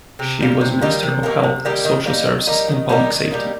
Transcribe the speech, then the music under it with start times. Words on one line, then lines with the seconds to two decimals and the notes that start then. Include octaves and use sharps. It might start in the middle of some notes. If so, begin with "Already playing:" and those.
She was Minister of Health, Social Services and Public Safety.
0.19 C3
0.40 D#3 G3 A#3
0.61 C3
0.81 D#3 G3 A#3
1.03 C3
1.23 D#3 G3 A#3
1.43 C3
1.65 D#3 G3 A#3
1.85 D#3
2.06 G3 A#3 D#4
2.27 D#3
2.47 G3 A#3 D#4
2.68 D#3
2.89 G3 A#3 D#4
3.10 D#3
3.31 G3 A#3 D#4